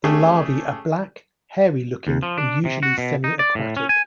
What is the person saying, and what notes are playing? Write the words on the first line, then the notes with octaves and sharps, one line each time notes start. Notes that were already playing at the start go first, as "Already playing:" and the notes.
The larvae are black, hairy-looking, and usually semiaquatic.
A3 C#4 G4 G#4
D#2
F3
D4
C3
F#4
B2
D#4
D5
A2
C#4
G#5